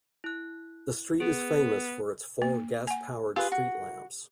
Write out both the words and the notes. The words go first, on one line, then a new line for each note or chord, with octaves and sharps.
The street is famous for its four gas-powered street lamps.
E4 F#6
B3 G#4
A#3
F#5 G#5
F4 G4 G#4 B4
F#4